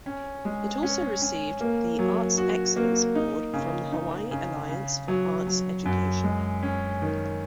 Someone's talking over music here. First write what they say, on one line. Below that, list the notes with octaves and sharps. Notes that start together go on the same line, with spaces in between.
It also received the Arts Excellence Award from the Hawaii Alliance for Arts Education.
C#4
G#3
C#4
C#4
A#3
F#3
F#4
A#3
D#4
C#3
D#4
C#3
C#3
F#3
F#3
F#2
G#3
C#4
D#3